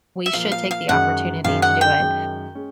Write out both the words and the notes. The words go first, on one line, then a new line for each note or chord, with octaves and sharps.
we should take the opportunity to do it,
E5
A#2 F3 A#3 F5
F5
F5
F#2 D#3 G#3 C#4 F#5
F#2 D#3 G#3 C#4 F5
F#5
G5
F#2 D#3 G#3 C#4
G#3 C#4